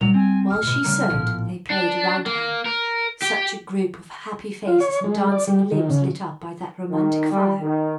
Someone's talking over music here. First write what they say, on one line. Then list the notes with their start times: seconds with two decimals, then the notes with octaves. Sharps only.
While she sewed they played around her; such a group of happy faces and dancing limbs lit up by that romantic fire.
0.01 A#2 F#3 G3 A#3 F7
0.14 C4 G#5
0.50 F3 A3 F6
0.63 G#2 B2
0.84 C#3 G3 A#3
1.10 A#1 A2 F3 B3
1.70 D4
2.26 A#3
2.65 A#4
3.22 G4
4.67 F4
4.80 C#5
5.04 G#3
5.32 D5
5.47 G3
5.72 D#3
5.89 C#3
6.91 D#3
7.31 G3
7.61 D#3